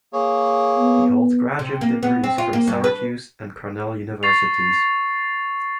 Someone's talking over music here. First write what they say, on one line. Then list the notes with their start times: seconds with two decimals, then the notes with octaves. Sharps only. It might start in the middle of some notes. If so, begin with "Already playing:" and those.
He holds graduate degrees from Syracuse and Cornell Universities.
0.13 A#3 G#4 C#5
0.77 B3
1.59 C3
1.81 A#3
2.03 B3
2.24 C4
2.38 F4
2.53 A#3
2.68 G2
2.84 B4
4.23 C#6 A6 C7 F7